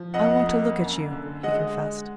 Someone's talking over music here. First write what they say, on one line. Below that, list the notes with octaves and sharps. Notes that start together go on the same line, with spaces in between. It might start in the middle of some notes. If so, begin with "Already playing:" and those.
"I want to look at you," he confessed.
Already playing: F3
F2 D#5 F#5
A#3
F#2
D3
G#3 D#5 F#5